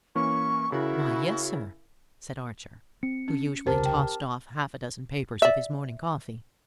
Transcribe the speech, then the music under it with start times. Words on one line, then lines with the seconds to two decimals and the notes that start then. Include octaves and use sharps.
"Why, yes, sir," said Archer, who usually tossed off half a dozen papers with his morning coffee.
0.15 E3 A#3 C#4 C#6
0.72 C#3 E4 F#4 A#4
3.03 C4 C#7
3.28 C#4
3.67 D#1 C2 C#3 G4 A#4 C5 A5
3.85 G5
5.42 D5 E5